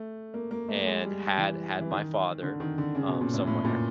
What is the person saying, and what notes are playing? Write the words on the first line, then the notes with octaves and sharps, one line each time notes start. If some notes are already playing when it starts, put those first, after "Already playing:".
and had had my father, um, somewhere,
Already playing: A3
A#3
A#3
A3
G#3
G3
E3
E3
D#3
D3
D#3
D3
C#3
B2
A#2
A2
A2
A#2